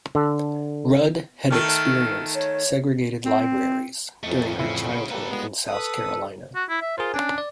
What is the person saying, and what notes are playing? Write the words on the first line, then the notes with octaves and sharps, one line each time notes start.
Rudd had experienced segregated libraries during her childhood in South Carolina.
D3 A4
D#3 A3 F6
C#5
C4
F2 A3 C#4 D#5
A2 C#3 E3 E4
B3
G3 A#3 A4 B4
G#3 B3
A4 B4 D#6
F#4
E4
E5
F4 G#4 A#4 C5
C#4 D4 G#5
D5